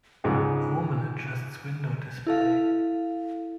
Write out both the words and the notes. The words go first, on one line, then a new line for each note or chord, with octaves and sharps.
A woman adjusts window display.
C#2 G#2
E4 A4 F5